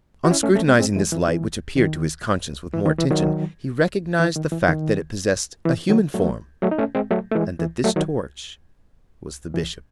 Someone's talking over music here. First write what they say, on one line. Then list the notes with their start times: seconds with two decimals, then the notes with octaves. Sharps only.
On scrutinizing this light which appeared to his conscience with more attention, he recognized the fact that it possessed a human form and that this torch was the Bishop.
0.25 F#4
0.31 C#4 E4
0.43 A3 C#4
0.55 A3 C#4
0.68 G#3 C4
0.79 G#3 C4
0.96 E3 G#3
1.12 E3
1.28 E3
1.77 D#3
2.74 E3
2.86 D#3
2.98 E3
3.10 D#3 F#3
4.20 E3
4.36 D#3
4.52 E3
4.69 D#3
5.65 E3
5.90 D#3 F#3
6.14 F#3 A3
6.62 F#3 A3
6.71 D#4
6.79 A3 C#4
6.95 G#3 C4
7.11 F#3 A3
7.31 A3
7.35 E3 G#3
7.60 E3
7.84 F#3 A3
7.96 D#3 F#3
9.54 E3